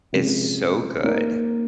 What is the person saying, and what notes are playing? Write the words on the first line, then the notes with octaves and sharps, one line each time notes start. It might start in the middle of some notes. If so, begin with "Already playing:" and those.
is so good,
C3 F3 G#3 C#4 G#4
A#3 D#4 A#4